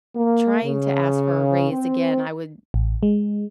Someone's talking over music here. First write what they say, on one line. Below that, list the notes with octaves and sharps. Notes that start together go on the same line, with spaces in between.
trying to ask for a raise, again, I would
A#3
C#3
C4
A1
G#3